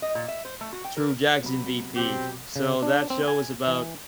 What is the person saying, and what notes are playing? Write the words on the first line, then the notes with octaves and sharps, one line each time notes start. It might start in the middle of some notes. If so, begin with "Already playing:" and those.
True Jackson, VP, so that show is about
D#5
A#2
E5
C5
A3
F#4
G5
A#4
C3 F#3 B3 B5
B2 C4 G4 D6
C#3
D4
C4
G#5
E3